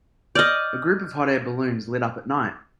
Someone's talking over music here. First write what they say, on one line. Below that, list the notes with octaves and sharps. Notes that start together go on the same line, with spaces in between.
A group of hot air balloons lit up at night.
D5 D#5 F6 G6